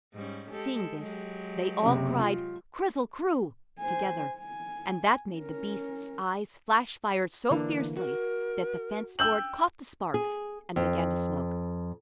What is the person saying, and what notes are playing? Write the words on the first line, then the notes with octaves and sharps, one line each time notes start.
Seeing this, they all cried "Krizzle-Kroo!" together, and that made the beast's eyes flash fire so fiercely that the fence-board caught the sparks and began to smoke.
G#2 G3 C#4
G#3 G4 A4
F#3 G#3 G4
F#1 C3
F4
C5 G#5
G#5
C#4 A#4
D3 E3 A#3 D4
F#4 A#4
G5 E6 G6 F#7
G#4
F2